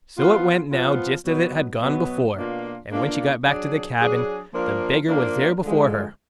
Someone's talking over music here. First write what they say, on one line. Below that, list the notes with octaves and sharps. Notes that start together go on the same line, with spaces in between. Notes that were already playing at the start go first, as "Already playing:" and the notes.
So it went now just as it had gone before, and when she got back to the cabin, the beggar was there before her.
F3 B3 F4
F3 B3 F4
B2 F#3 B3
B2 F#3 B3
B2 A#3 D4 F4
B2 A#3 D4 F4
F#3 D4 G#4
F#3 D4 G#4
F3 A#3 D4 F4 A#4
F3 A#3 D4 F4 A#4
D3 F3 G#3